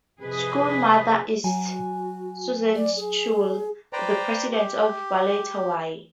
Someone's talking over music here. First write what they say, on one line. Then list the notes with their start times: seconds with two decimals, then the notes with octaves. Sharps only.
Schull's mother is Susan Schull, the President of Ballet Hawaii.
0.22 F2 C3 G#4 B4 D#5
1.44 F#3 F#4 G#5
2.75 D5
2.97 G#4
3.93 B4 C5 D5 G5 A#5
4.51 G4